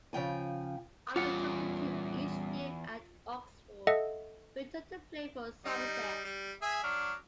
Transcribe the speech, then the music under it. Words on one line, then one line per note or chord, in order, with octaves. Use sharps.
After completing each year at Oxford, he returned to play for Somerset.
C#3 F3 G5 G#5
E2 G3 C#4 F4 C#5 F#5
A4 D#5 E5 F#5
G3 D#4
G3
G#4 E5 G#5
F#3 D4 F6